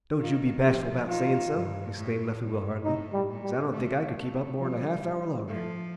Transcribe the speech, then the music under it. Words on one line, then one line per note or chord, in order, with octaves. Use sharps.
"Don't you be bashful about sayin' so," exclaimed Leffingwell heartily, "'cause I don't think I could keep up more'n a half hour longer."
D#3 F4
F3 G4
D#3 F4
G2
A2
G2
A2 D#4
G3
A#2
G3
A3
A3
F3 G3
F3 A3